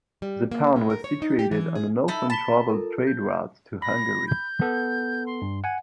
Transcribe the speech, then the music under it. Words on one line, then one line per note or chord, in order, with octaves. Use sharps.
The town was situated on an often traveled trade route to Hungary.
G3
A#3
G#3
A#4
C#5
D#4
G4
E3
G#4
D#4 E4 A4
A5 B5 B6 G7
F4 A4 A#4
G6
B5 A#6
G6
B3 A4
C6
G2
F#5 G#5 G#6